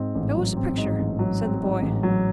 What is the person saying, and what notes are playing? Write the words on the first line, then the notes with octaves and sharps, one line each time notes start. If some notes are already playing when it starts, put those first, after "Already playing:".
'Show us a picture,' said the boy.
Already playing: G#2 C4
A1
F#3
C4
G#2
A1
F#3
C4
G#2
A1
F#3